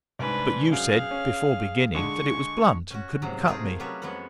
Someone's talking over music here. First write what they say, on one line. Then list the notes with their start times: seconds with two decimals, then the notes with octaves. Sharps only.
"But you said before beginning that it was blunt and couldn't cut me!"
0.19 C2 G#2 D4 B4
0.72 F#2 G#4 F5
1.11 C#4
1.95 D3 G#3 G#4 C#6
2.91 C#4 F#4
3.22 G#2 C3 F3 F#3
3.46 A3 D#4 F4 G#4 A#4 F5
3.80 F#3 G3 C#4 F4 B4 C#5
4.02 F2 G#3 B3 C#5 F#5